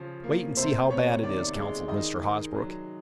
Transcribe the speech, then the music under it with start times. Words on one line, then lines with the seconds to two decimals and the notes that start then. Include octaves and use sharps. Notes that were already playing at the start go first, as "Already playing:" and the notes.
"Wait and see how bad it is," counseled Mr. Hosbrook.
Already playing: C#3 F3 C#4
0.24 A#3
0.57 C3 C5
0.90 B3 C#5
1.23 D#3 D5
1.56 G#3
1.88 D#3 D#5
2.21 D#3
2.54 F#3